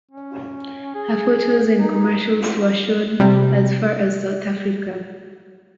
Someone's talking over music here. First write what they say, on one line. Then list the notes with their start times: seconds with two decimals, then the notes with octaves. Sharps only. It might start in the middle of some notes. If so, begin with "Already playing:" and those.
Her photos and commercials were shown as far as South Africa.
0.11 C#4
0.95 G#4
1.80 D#4
3.20 C3 G3